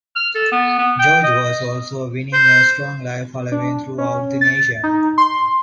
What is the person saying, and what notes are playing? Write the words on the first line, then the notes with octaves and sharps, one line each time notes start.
George was also winning a strong live following throughout the nation.
F6
A4
B3
B3
G5
D#5
C5
D4
C#4
A6
D#4
C6